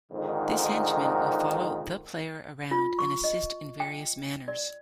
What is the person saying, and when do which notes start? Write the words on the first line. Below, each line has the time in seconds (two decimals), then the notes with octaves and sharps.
This henchman will follow the player around and assist in various manners.
0.12 F2 G#2 D3 D#3
2.71 F4
2.99 C#6
3.24 D#5
3.80 G5
4.48 D5